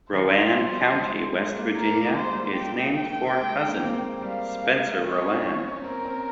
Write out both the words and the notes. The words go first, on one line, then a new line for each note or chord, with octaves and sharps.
Roane County, West Virginia, is named for a cousin, Spencer Roane.
D#3 C5
F3
G3
G#3
G#3
A#3
A#4
A#3
G#3
C5
G3
G5
G#3
A#3
C4
A#3
A#3
G3 F5
G#3
C4 C#5
C#4
C#4
C#4
C4 A#4
C4